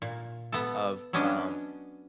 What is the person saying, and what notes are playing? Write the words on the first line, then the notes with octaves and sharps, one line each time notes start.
of, um,
A#2
B3 A4
F#3 B3 C#4 D4 D#5